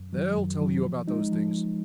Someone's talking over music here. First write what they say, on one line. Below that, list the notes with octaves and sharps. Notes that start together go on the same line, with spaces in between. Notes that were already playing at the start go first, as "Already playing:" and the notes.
They'll tell you about those things.
Already playing: F#2
D#3 F#3
F#2
D#3 F#3
F3
G#3 D#4
F3